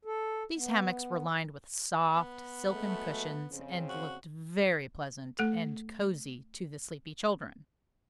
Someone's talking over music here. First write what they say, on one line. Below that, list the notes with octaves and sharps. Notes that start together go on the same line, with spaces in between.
These hammocks were lined with soft, silken cushions and looked very pleasant and cozy to the sleepy children.
A4
B3
B3
F#3 G#3 A3
F2 C#3 C4
F#4
A3 A4